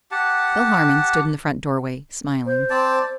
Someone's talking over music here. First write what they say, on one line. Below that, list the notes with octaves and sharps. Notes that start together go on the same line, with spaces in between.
Bill Harmon stood in the front doorway, smiling.
G4 F#5 A5
C5
C4 D5 A5